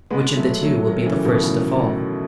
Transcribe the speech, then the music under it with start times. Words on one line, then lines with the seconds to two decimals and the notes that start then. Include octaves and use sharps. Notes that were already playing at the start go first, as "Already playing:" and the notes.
Which of the two will be the first to fall?
0.10 G#3 B3
0.36 F#3 A3
0.62 F#3 A3
0.87 D#3 F#3
1.06 C#3 E3
1.25 B2 D#3
1.43 A2 C#3